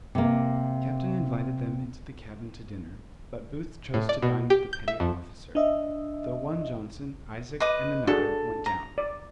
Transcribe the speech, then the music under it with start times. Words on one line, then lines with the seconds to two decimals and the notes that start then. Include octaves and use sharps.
The captain invited them into the cabin to dinner, but Booth chose to dine with the petty officer, though one Johnson, Isaac and another, went down.
0.15 C3 A#3
3.94 A2
4.09 D5
4.22 B2
4.50 G4
4.73 G6
4.88 E5
5.00 F2
5.55 D4 D#5 E5
7.60 B4 D#5 D6
8.07 D4 F#4 G#4 A4
8.66 A#5
8.98 D5